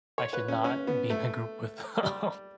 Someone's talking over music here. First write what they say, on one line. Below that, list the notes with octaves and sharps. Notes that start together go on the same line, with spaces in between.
I should not be in a group with them.
C#5
B4
C#4
C#4
B3
A3
G3